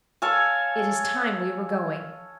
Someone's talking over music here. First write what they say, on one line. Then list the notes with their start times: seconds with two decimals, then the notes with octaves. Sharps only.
"It is time we were going."
0.22 A4 C#5 F5 G#5